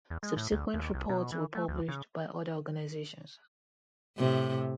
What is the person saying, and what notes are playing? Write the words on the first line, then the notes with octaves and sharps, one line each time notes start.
Subsequent reports were published by other organizations.
E2
G#3
A2
D2
D#2
C2
B2
E3
A3
D2
C#3
A2 C3